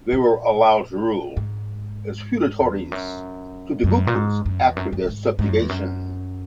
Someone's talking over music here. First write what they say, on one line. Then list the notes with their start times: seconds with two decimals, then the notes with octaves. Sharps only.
They were allowed to rule as feudatories to the Guptas after their subjugation.
0.13 A#2
1.37 G#2
2.60 E2
2.92 F#2
3.84 F#2
4.07 A#2
4.15 G#2
4.46 F#2
4.61 E2
4.77 F#2
4.93 F#2
5.04 F#2
5.08 G#2
5.39 G#2
5.49 F#2
5.60 E2
5.69 F#2